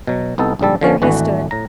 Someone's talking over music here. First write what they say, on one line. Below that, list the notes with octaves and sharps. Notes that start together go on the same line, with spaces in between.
There he stood.
B2 F#3
C2 B3 D#4 A4
A#1 G#2 D3 G3 A4
D3 F3 C#4
G#1 D3 E3 A3 F#4 B4
A2 A#5